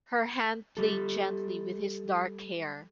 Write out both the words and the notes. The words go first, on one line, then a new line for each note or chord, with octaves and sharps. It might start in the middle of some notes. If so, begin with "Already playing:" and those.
Her hand played gently with his dark hair.
G3 A4